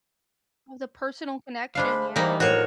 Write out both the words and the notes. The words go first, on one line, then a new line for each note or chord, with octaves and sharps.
Oh, the personal connection, yeah.
G#3 D4 C5 F5 B5
E3 G3 A#3 D#4 C5 A#5
A2 F3 F#4 A#4 C#5